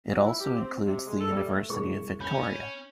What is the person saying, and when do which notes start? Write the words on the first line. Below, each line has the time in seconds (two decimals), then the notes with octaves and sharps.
It also includes the University of Victoria.
0.11 F#3
0.24 E4
0.40 G4
0.56 C4
0.85 C3
1.06 G#3
1.20 A4
1.32 G3
1.45 A3
1.69 C2 G#3 C#6
2.20 C#4 B5 G6